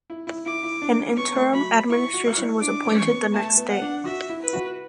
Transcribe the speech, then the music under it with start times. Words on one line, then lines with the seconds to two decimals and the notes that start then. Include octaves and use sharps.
An interim administration was appointed the next day.
0.10 E4
0.27 E4
0.46 E4 D6
0.63 E4
0.82 D4
0.99 C#4
1.10 C#4
1.17 B3 C#6
1.35 A3
1.53 F#3 B5
1.89 E4 C#6
2.13 F#4
2.38 E4
2.61 D4 D6
2.85 C#4
2.98 C#6
3.10 B3
3.33 A3 A5
3.57 B3
3.69 F#5
3.82 D4
4.05 F#4 E5
4.30 E4
4.42 B4
4.53 F#4